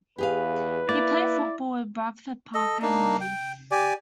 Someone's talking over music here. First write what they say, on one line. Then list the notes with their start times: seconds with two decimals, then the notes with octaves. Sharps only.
He played football with Bradford Park Avenue.
0.18 E2 G4 G#4 B4 F5
0.89 A#3 E4 D5
2.54 A4 D#5
2.82 A#3 D4 D#4
3.21 G5
3.71 G4 D5 G#5